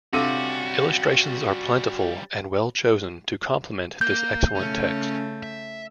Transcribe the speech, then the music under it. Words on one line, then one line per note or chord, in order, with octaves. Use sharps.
Illustrations are plentiful and are well chosen to complement this excellent text.
C3 G3 C#4 D4 F4 F#4 A4
A#3 G6
C#3 A3 C#4
E5